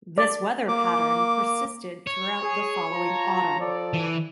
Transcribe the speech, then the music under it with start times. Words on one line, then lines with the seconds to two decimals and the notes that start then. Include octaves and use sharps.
This weather pattern persisted throughout the following autumn.
0.18 D5
0.68 A#3 D6
2.07 C#5
2.43 G#4
2.92 F4 A5 A#5
3.59 F3 A4 D5
3.93 E3